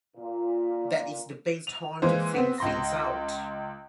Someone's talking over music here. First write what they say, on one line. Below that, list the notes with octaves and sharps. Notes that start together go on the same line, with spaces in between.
That is the best time to think things out.
A#2
F7
E3 G#3 A#3 C5
B3 C4
C#2 C6 A#6